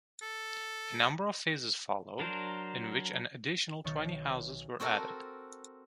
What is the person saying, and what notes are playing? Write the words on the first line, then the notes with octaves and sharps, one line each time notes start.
A number of phases followed in which an additional twenty houses were added.
A4
F#3 D4 A#4 C5
B1 D#3 C#6 F6 G6 A6
C4 F#4 A4 A#4